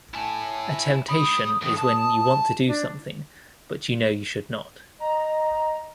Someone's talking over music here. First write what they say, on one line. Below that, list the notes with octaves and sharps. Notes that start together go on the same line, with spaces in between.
A temptation is when you want to do something but know you should not.
E4 G#5 A5
G4 B5 D#6
A2 E3
A5
D4
D#5 A#5